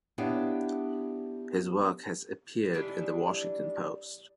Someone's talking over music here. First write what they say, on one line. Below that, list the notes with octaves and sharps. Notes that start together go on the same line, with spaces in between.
His work has appeared in the Washington Post.
B3 D4 E4 G4 C#5 F5
E3 G3 G#3 D4